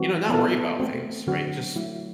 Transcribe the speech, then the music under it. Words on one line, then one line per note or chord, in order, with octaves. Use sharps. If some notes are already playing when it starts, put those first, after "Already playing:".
you know, not worry about things, right? Just
Already playing: E3 G3 C4 F#4 B4
B3 E4 A4
A3 C4 F#4
D3 F#3 C4 F#4
F#3 A3 E4